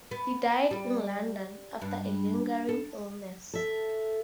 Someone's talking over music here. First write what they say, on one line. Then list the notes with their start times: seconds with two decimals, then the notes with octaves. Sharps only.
He died in London, after a lingering illness.
0.11 B3
0.71 G3
1.82 G2
2.69 A4
3.53 A4 E5